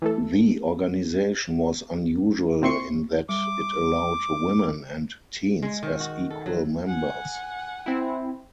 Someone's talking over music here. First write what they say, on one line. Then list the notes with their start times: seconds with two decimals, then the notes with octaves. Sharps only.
The organization was unusual in that it allowed women and teens as equal members.
0.02 E3 A3 A4
2.62 A#2 C4 E4 C6 C#6 C#7
3.29 G3 D6
5.62 G#3
5.83 D#3
6.00 F#4
6.30 A4
6.46 F#3
6.87 F#5 G#5
7.86 C4 E4